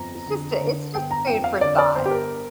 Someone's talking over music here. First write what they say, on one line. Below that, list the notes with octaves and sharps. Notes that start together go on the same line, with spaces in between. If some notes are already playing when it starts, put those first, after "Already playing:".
it's just it's just food for thought.
Already playing: G1 F2 A#5
D3
D3
G1 G5
A#5
F2 G5
F5
D3 D5
D5
G1 C5
G4
A#4